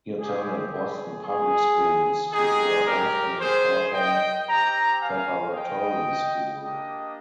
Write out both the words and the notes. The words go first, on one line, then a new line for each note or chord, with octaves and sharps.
He attended Boston Public Schools before entering Fordham Preparatory School.
C4 G4 G#4
G#4
G#4
G#3 D#4 G4 G#4
G4 A#4
G#4 C5
D#5 G5
C4 G4 G5 A#5
F5 G#5
D#5 G5
A#3 D4 G4 D#5 G5